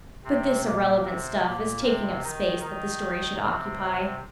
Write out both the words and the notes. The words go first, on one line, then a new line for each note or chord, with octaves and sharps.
But this irrelevant stuff is taking up space that the story should occupy.
C3 C4
A#2 A#3
C3 C4
A#2 A#3
C3 C4
D#3 D#4
D#3 D#4
C3 C4